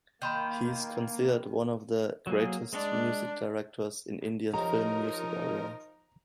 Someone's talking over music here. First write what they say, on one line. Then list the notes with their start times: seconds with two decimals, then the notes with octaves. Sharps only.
He is considered one of the greatest music directors in Indian film music arena.
0.22 D#3 A#3 B5 C6 G6
2.27 F#3 A#3 G#4
2.73 G#3 D4
4.53 F3 D#4 G4 A#4 C#5 D#5 A#5